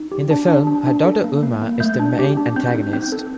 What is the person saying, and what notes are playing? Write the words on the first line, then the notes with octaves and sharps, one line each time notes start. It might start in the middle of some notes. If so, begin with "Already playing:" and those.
In the film, her daughter Uma is the main antagonist.
Already playing: D#4
G4
D4
D4
D4
D4
A4
A#3
A#3
A#3
A3 G6
D4
G4
D4
C4 G6
D#4
C4 G6
A4